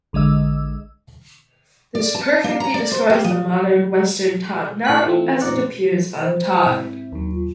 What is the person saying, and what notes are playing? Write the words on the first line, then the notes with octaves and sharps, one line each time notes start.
This perfectly describes the modern western top knot as it appears untied.
A1 D3 G#3 D#5 E6
D5
A5
A#3
A#5
D5
C5
G4
F3
A2 C#5 F#6 B6
E3 F3 A3 C4
F2 A#2 D#4 D5 F#5
C5
G#2 C4 E4
D#2 F#3 D#4
F4